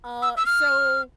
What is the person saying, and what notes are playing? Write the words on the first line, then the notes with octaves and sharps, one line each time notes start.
Uh, so
E6
E6
F6